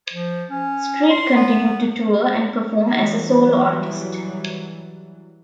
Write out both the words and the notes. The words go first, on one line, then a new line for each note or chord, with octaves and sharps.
Street continued to tour and perform as a solo artist.
F3
C#4
C6
B3
E3 F#3 G3